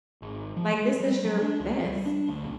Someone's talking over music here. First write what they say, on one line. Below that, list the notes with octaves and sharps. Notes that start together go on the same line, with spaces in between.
Like, this is your best
G#1
F3
G#3
G3
F#3
D4
C#2
G3
D4
D2
B1